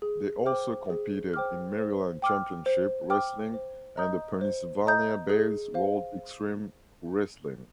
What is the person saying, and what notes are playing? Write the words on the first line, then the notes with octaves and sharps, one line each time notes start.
They also competed in Maryland Championship Wrestling and the Pennsylvania-based World Xtreme Wrestling.
G#4
C5 G5 D6 F6
G#4
C5 G5 D6 F6
C5
G5 D6 F6
C5
G5 D6 F6
C5
D#5 A#5 D#6 G6
C5
D#5 A#5 D#6 G6
G#4
C5 F5